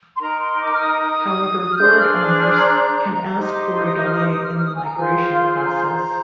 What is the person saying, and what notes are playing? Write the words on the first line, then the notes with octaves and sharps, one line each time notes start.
However, board owners can ask for a delay in the migration process.
C6
D#4 A#4 A#5
C6
D6
F6
D#6
F6
D4 G#4 C5 G6
F6
C6
D6
F6
A#5
D#4 G4 C5
D6
C6
C6
D#6
D#6
F6
D#6
D#6
F6
F6
D#6
G#5
A#5
F4 G#4 C5 G#5
G5
F5
C6
G#5
A#5
G#5
A#5